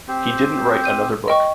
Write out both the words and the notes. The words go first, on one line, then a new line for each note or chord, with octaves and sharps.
He didn't write another book.
C4 G4 C5
G6 D#7
D#5 G5 C#6